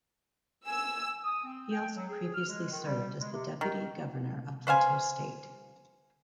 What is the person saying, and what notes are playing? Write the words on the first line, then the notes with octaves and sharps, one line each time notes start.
He also previously served as the deputy Governor of Plateau State.
G#5 E6
D#6
C4
G5
F#3
G#4
F6
G#3
D#3
G3
G#3
C3
D#3
B4 C5 F5 G#5